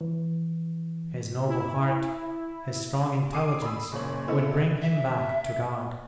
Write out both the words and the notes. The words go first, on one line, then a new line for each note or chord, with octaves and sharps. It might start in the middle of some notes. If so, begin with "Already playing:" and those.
His noble heart, his strong intelligence, would bring him back to God.
E3
E4
G#5 D6 D#6 C7 D7 D#7
B5 D#6 E6
F#1 A#2 C#5 F#7
B3 C4 E4 A4 D#5
E5